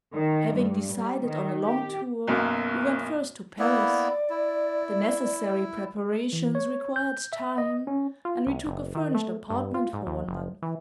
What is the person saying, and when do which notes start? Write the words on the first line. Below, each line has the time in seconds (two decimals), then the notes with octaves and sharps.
HAVING decided on a long tour, we went first to Paris; the necessary preparations required time and we took a furnished apartment for one month.
0.13 D#3
0.55 G2
0.93 G3
1.27 D#3
1.63 G4
2.27 B1 F#2 B2 A#3
3.59 A#3 B3 E4 D5
4.30 E4
6.33 E3
6.55 C#5
6.96 G6
7.33 E5
7.58 D#5
7.87 C#4
8.25 F4
8.47 C2
8.65 F#1
8.95 D#3
9.14 A3
9.50 G2
9.74 F4
9.93 G#2
10.06 D#2
10.28 F#1
10.62 E3